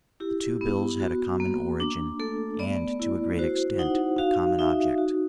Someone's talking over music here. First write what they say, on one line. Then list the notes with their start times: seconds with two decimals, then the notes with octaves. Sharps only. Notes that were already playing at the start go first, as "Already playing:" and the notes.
The two bills had a common origin, and, to a great extent, a common object.
0.20 E4 G4
0.61 B3
1.01 F#4
1.40 A#3
1.80 D4
2.20 A3 A4
2.59 B3 D5
3.00 E4
3.39 F#4 C5
3.79 D#4 F#5
4.18 F#4 F5
4.59 D#4 E5
4.98 F#4